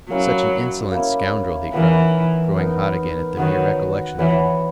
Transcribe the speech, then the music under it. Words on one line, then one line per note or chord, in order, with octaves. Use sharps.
"Such an insolent scoundrel!" he cried, growing hot again at the mere recollection of him.
F#3 A#3 C#4 E4
A#3 C#4 E4
E3 B3 D#4 A#4
B3 D#4 A#4
D#3 B3 F#4 C#5
E3 B3 F#4 C#5